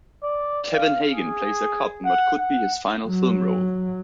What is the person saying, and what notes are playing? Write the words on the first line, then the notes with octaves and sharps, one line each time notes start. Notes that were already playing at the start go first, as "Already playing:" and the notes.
Kevin Hagen plays a cop in what would be his final film role.
D5
F5
G#4
F#5
F#5
F#3